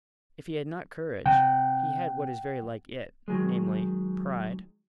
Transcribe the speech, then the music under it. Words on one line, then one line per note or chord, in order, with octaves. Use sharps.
If he had not courage he had what is very like it, namely, pride.
C3 F#5 G5
D#3 F#3 G#3